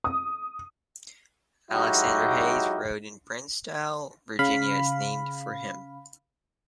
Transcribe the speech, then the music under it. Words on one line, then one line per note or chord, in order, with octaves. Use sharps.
Alexander Hays Road in Bristow, Virginia, is named for him.
D#6
F#3 G#3 D#4 E4 F#4 G4
C#3 F5 B5